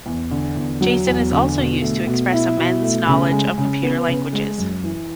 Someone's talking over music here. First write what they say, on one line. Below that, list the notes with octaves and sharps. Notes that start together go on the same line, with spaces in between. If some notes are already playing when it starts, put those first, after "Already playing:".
Jason is also used to express Amend's knowledge of computer languages.
E2
D3
E2
F#3
E2
D3
B2
A3
B2
E4
B2
A3
C#3
G#3
C#3
B3
C#3
G#3
F#2
E3